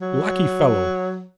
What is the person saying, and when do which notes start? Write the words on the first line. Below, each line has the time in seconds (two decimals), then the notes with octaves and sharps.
Lucky fellow!
0.01 F#3